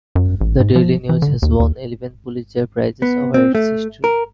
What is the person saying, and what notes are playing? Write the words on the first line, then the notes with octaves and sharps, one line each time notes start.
The "Daily News" has won eleven Pulitzer Prizes over its history.
F#2
A1
G#2
F3
E3
D3
D#2
D#2
B3
C4
A3
A#4